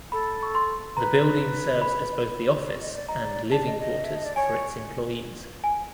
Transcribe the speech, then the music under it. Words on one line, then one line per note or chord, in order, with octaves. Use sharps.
The building serves as both the office and living quarters for its employees.
A4 B5
C#6
C6
B4 A#5
B5
D5
D#5
D5
D#5 A#5
D5
D5 A5
D#5
D#5
E5
D#5
D5
C#5 G#5
G#5